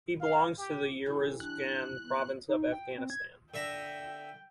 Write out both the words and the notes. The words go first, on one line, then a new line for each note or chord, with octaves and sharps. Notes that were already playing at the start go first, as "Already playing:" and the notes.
He belongs to the Uruzgan province of Afghanistan.
F5
G4
E3 G3 A4
D4 F#6
B3
D#4
G5
C4
G#6
D3 E5 G5 A#5